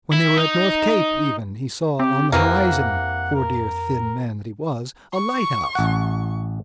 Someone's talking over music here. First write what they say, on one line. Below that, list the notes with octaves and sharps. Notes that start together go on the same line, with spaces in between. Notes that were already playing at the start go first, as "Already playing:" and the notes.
When they were at North Cape, even, he saw on the horizon, poor dear thin man that he was, a lighthouse.
E4
D#4
C4 G4
F2 C3 E3 A#3 F#5
A#4
C#6
A1 F#5